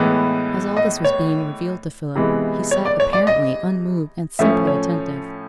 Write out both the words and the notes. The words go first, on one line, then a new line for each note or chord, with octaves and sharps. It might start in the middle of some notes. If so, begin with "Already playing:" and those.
As all this was being revealed to Philip, he sat apparently unmoved and simply attentive.
Already playing: A2 E3 G#3 B3
D#5
C#5
C3 E3 G#3 B3
C#5
D5
C#5
D5
D#5
A2 F3 A3 C#4 E5
C#5